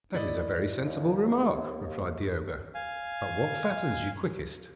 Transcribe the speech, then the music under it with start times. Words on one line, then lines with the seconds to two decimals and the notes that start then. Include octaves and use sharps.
'That is a very sensible remark,' replied the ogre; 'but what fattens you quickest?'
0.14 E4 D5 D#5
0.85 D#2
2.74 F5 G#5